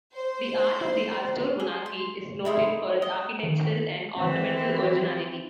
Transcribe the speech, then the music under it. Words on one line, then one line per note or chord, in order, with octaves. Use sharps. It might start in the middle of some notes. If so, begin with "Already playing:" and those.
The art of the Astur monarchy is noted for its architectural and ornamental originality.
C5
G#4
C6
D#4 E4 G#4 C6
D#5
D#3
E3 C4